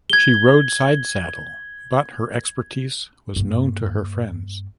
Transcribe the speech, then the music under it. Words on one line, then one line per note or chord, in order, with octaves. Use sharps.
She rode side saddle but her expertise was known to her friends.
G#6 G7
G2 A#3